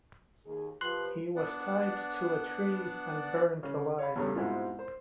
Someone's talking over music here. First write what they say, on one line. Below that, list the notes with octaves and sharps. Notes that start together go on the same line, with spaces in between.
He was tied to a tree and burned alive.
D#2 G#4
F3 G4 B4 C6 F#6
B3 D4 D5 F#5
C#3
C#5 F5 B5
E2 G2 C#3 G3 A3 C#4
G#2 B2 G#3 C4 E4 F4
C5